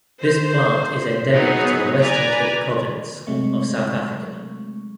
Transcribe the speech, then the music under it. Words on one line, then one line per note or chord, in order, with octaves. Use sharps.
This plant is endemic to the Western Cape province of South Africa.
C5
F#3 B3 D#4 G#4 D#5
B4 D5 G#5 A#5
C3 F#3 G#3 A3 C#6